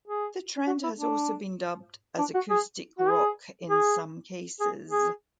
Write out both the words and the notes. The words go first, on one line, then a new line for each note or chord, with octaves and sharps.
The trend has also been dubbed as "acoustic rock" in some cases.
G#4
F#4
E4
D4
D4
F#4
G#4
F#4
G#4
G#4
G#4
G#4